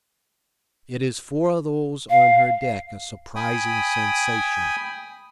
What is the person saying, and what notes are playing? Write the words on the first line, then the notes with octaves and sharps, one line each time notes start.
It is for those on her deck a surprising sensation.
F5
G5 G#5 B5 D#6